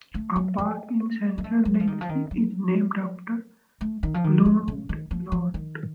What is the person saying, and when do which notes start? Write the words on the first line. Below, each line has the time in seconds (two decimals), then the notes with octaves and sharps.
A park in central Nancy is named after Blondlot.
0.14 A3
0.36 F#3
0.58 F3
1.38 A#3
1.44 A3
1.65 F#3
1.80 F3
1.87 D#3
2.01 F3
2.09 D#3
2.31 F#3
3.81 A3
4.03 D#3
4.14 F3
4.24 D#3
4.46 C#3
4.68 C#3
4.89 D#3
5.11 F3
5.32 F3
5.54 D#3